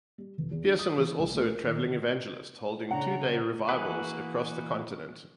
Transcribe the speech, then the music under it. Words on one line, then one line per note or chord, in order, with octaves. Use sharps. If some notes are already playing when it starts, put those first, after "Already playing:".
Pearson was also a traveling evangelist, holding two-day revivals across the continent.
G3
F1
E2
D4
D#6
E3
C2
A3
A#4
D#3
D3
C#3 D4 F#5 A#5
E3 A#3 F#4 G#4 B4